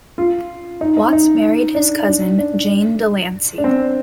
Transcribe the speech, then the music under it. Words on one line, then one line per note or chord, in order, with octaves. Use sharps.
Watts married his cousin Jane DeLancey.
F4
D#4
D#4
D#4
D4
D4
D4
D4
C4